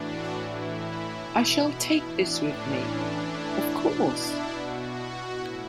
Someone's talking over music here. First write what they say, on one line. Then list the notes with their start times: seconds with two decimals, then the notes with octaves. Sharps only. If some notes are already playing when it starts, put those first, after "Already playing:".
I shall take this with me, of course.
Already playing: A2 E3 D4 F#4
0.36 A2 E3 E4
1.19 B2
2.02 A2 E3 D4
2.44 C#4
2.86 A2 E3 D4
3.28 E4
3.69 B2 D4
4.11 E4
4.52 B2 F#4
5.36 A2 E4